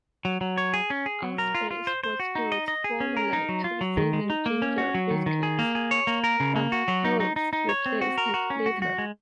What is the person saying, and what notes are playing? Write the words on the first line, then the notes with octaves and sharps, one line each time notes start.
Allspice was used formerly to season ginger biscuits, but cloves replaced it later.
F#3
F#3
C#5
G#4
C#4
G#4
F#3
A#4
F4
F4
C5
C5
F#4
D#4
D#5
D#5
G#4
C#4
A#4
D#4
F#3
F4
F#3
D#3
G#3
D#4
A#3
C#4
F#4
F#3
D#3
D#3
G#4
A#3
G#4
C#5
A#3
A#4
C#3
A#3
F#4
F#3
D#4
D#4
D#4
D#4
C#5
C4
F#4
A#4
F#4
C#4
F#4
F#4
G#3